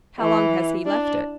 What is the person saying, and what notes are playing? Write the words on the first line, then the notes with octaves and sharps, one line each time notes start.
"How long has he left it?"
E3
D4